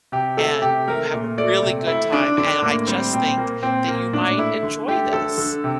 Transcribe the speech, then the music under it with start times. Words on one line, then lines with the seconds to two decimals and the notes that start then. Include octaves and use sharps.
and you have a really good time, and I just think that you might enjoy this,"
0.12 C3 G4
0.37 A3 A4
0.62 C3 G4
0.88 A3 A#4
1.13 A#2
1.38 A3 D5
1.63 C3
1.87 A3 E4
2.12 D3 D4
2.38 D3 D4
2.62 A2 A#3
2.87 G3 C4
3.13 A#2 C4
3.37 A#2 A#3
3.63 A#2 C4
3.88 A#2 A#3
4.13 A2 D4
4.38 A3 E4
4.63 D3
4.88 A3 G4
5.13 D3 A4
5.38 D3
5.64 C3